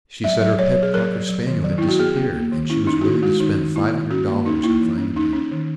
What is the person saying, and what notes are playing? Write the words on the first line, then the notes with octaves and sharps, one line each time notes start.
"She said her pet cocker-spaniel had disappeared and she was willing to spend five hundred dollars on finding him."
F#3 E5
F#3 E5
F#3 C#5
F#3
G#4
F#3 A#4
F#3
F#3
D#3
F#3
B3 E4
F#4
B3 G#4
B3
A#3
D#3
C#4 E4
C#4 D#4
F#4
D#3 E4
G#3 F#4
D#3 D#4
D#3
A#3 E4
D#3
C#4 F#4
A#3
C#4 D#4
A#3 E4
E3
C#4
C#4 D#4
C#4
D#3